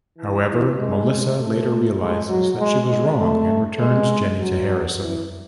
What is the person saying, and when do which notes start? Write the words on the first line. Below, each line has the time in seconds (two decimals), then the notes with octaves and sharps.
However, Melissa later realizes that she was wrong and returns Jenny to Harrison.
0.17 E3
0.48 E3
0.78 G#3
1.38 A3
1.99 G#3
2.29 F#3
2.59 G#3
2.89 G#3
3.19 A3
3.79 G#3
4.40 F#3
5.00 E3